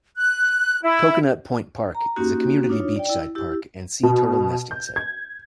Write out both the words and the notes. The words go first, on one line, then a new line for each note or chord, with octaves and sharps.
Coconut Point Park is a community beachside park and sea turtle nesting site.
F#6
E4
A#5
A#3 C#4 D#4 F#4 G4
D4 D#4 F4 C#5
D5 G5
E4
E4 G4
B2
G6
G#6